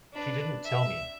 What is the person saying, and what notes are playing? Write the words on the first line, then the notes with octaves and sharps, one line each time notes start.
She didn't tell me.
D4 B4
E5